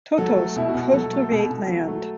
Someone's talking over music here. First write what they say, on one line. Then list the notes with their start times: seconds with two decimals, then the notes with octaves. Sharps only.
Totos cultivate land.
0.18 F#3 A4
0.37 A3
0.56 B2 E4
0.68 F#4
0.75 B2
0.94 F#3 A4
1.13 A3
1.32 B2
1.50 B2
1.70 F#3
1.88 A3